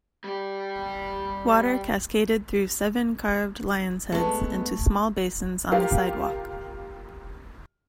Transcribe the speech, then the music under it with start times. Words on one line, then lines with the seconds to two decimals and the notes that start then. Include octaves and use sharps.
Water cascaded through seven carved lion's heads into small basins on the sidewalk.
0.24 G3 G4
4.12 G#3 A3 B3
5.72 F4 G4 A#4 F5